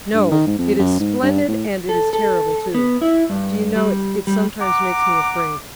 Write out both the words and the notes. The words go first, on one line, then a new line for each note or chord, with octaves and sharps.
"No, it is splendid, and it is terrible, too. Do you know, it sometimes makes me afraid."
G2
D#3
G#2
F2
F#2
G#2
G2
A2
A4
A4
B3
E4
G2
G3
G3
F#5 A#5 D6